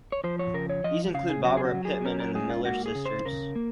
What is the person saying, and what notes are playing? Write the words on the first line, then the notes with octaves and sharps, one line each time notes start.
These include Barbara Pittman and the Miller Sisters.
C#5
F3 C5
C#5
C#3 A#4
C#5
F3 D#5
C#3 F5
G#4
F#3 F#4
G#4
F#4
F#3
G#4
C#4 A#4
A#4
G#2 G#4
F4
A#3 F#4
G#4
C#3
C5
C#3 A#4
A#3